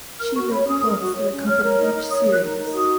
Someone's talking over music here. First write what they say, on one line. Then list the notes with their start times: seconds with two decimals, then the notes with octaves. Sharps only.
She wrote books that accompanied each series.
0.20 A#4 F6
0.36 F#4 C#6
0.52 C#5 B5
0.68 C#4 D#6
0.84 A#4
0.99 F#4
1.15 C#5
1.32 C#4
1.47 C#5 F6
1.63 A#4
1.79 D#4
1.94 D#4
2.11 C#5 D#6
2.27 A#4
2.32 F#6
2.43 D#4
2.58 D#4
2.74 F#4 D#6